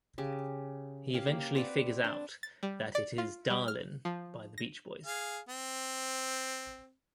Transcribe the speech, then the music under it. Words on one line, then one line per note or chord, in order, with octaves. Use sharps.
He eventually figures out that it is "Darlin'" by The Beach Boys.
C#3 G4
C#4 G4 F5
A#3
C4 B4 D5 F#5
D4
A6
G3
D5
F4
G3
F6
F3
A#6
G#4 F5
C4